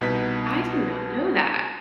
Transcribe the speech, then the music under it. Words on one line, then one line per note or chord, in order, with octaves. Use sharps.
I did not know that.
C2 B2 D#4 B4 B6